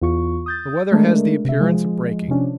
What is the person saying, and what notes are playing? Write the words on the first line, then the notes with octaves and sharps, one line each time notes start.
The weather has the appearance of breaking.
E2 F4 C#6
D#6 G6 A6
G#3 A3 D4 A#4
C3 E5
F3 G#3
C3 F3 C#4 D4